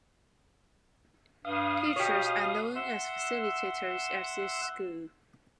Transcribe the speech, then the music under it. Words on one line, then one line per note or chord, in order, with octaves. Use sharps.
Teachers are known as "facilitators" at this school.
G2 F5 D#6
B2 G4 C#5
E5 F#5 C6 E6